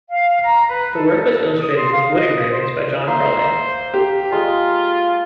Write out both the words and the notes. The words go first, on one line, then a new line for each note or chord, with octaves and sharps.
The work was illustrated with wood-engravings by John Farleigh.
F5
A#5
B4
A4
D#6
C6
F5
D#5
C5
A#3 C5 E5
G4
G#3 F4 D#5